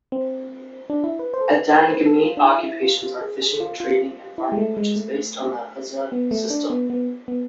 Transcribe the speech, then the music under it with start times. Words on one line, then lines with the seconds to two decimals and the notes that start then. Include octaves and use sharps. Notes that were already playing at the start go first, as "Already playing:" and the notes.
Adangme occupations are fishing, trading and farming which is based on the huza system.
0.12 C4
0.90 D4
1.04 E4
1.19 B4
1.34 C5
1.41 A4
1.48 B4
1.84 C5
1.95 B4
2.06 A4
2.25 F4
2.37 D4
2.44 E4
2.59 F4
2.63 E4
2.83 F4
3.03 F4
3.21 G#4
3.42 G#4
3.60 F4
3.80 F4
4.38 E4
4.52 G#3
4.58 A3
4.77 G#3
4.96 A3
6.12 B3
6.31 A3
6.50 D4
6.70 B3
6.90 B3
7.28 B3